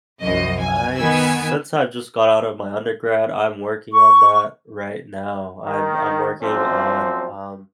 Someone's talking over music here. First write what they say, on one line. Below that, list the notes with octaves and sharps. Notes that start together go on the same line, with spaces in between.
I'd since I've just got out of my undergrad, I'm working on that right now. I'm I'm working on, um
C2 F#2 F3 D#5
G#5
D#3 B3 G#5 E6
C#6
D#3
F#2 A#2 F3 C4